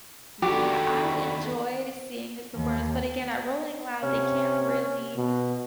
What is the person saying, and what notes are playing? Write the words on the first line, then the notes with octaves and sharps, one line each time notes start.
yeah, I enjoyed seeing his performance, but again, at Rolling Loud, they can't really
E2 D3 D#3 F#4 G4 B5
D#2
C3 C#4
B2